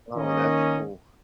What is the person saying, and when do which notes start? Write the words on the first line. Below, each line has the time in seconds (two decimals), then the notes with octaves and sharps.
Oh, that's cool.
0.16 D#3 A#3 C#4 D#5